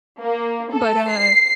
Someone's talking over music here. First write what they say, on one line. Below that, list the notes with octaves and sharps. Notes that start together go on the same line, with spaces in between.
but, uh
A#3
A4
C7